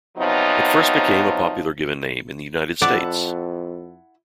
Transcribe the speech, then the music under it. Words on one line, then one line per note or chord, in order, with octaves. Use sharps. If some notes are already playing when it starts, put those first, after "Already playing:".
It first became a popular given name in the United States.
C3 F3 F#3 B3 D#4
F2 E4 D5 F#5 A5